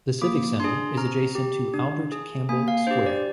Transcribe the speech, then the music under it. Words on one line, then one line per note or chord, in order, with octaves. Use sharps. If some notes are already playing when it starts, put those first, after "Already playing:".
The civic centre is adjacent to Albert Campbell Square.
A#3 D6
D4 G#4 C6
C4 A#5
G4
D4
G#4
A#3 G#5
F5
D4 G4 C5
D5